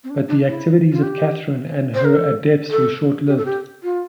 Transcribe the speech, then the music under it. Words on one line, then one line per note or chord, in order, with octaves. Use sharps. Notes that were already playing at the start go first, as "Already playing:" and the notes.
But the activities of Catherine and her adepts were short-lived.
C4
D4
D4
E4
F4
G4
C5
A#4
A4
A4
G4
A4
G4
F4